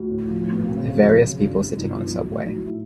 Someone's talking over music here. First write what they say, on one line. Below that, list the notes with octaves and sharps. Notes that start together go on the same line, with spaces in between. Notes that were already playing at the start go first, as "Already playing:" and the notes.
Various people sitting on a subway.
Already playing: D2
A2
F3
A2
B3
B1 A#3
C4
C#3
F#3
F#3
C#3
G1 D4
C3
G1 D#4
G1
F#3
A1
F#3 D#4
E4
A2
E4